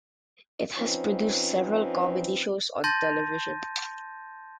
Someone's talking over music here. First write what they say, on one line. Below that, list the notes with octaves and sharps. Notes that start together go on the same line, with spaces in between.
It has produced several comedy shows on television.
F3 C4 C#4 D#4 B4
A5 C6 G6 A6 A#6 D#7